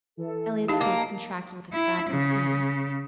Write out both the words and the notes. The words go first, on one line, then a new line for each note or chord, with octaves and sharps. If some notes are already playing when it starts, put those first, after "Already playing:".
Elliott's face contracted with a spasm of pain.
E3 A4
D#4 G4 D#5 F5 A5
A#3
E4
C#3